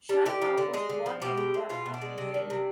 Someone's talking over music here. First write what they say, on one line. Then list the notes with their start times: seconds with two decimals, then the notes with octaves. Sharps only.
Sharma was born and brought up in Delhi.
0.09 G3
0.26 D3 G4
0.42 F3
0.58 D3
0.74 G#3 G#4
0.90 D3
1.06 F3
1.22 B2 G4
1.37 G#3
1.54 G#3
1.69 B2 F4
1.86 B2
1.94 D4
2.02 G#3
2.18 C3
2.34 D#3
2.50 C3